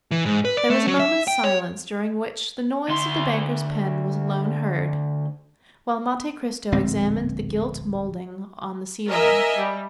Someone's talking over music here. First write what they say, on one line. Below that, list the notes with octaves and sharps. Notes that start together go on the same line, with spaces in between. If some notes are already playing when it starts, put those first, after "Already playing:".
There was a moment's silence, during which the noise of the banker's pen was alone heard, while Monte Cristo examined the gilt mouldings on the ceiling.
E3
G#2
B4
D5
A3
F#3
E5
G5
C#5
D2 C6
D1 A#1 G#3 C4
A#4 D#5 E5 G#5
G3